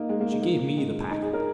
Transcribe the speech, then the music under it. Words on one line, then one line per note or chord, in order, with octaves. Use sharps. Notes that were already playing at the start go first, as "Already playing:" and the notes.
She gave me the packet.
Already playing: A#3 D#4
G#3
A#3
D#4
A#3
G#3
D#4
G#4
A#4